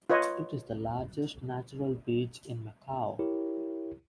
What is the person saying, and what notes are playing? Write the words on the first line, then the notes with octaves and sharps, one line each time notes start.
It is the largest natural beach in Macau.
F4 B4 C#5 D#5
E4 G4 A#4 C#5